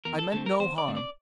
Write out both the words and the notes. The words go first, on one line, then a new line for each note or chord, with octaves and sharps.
I meant no harm.
E2 A#4
A4
D3 A3 C4 A4
A#4
E2 C5
D5
D3 A3 C4
D5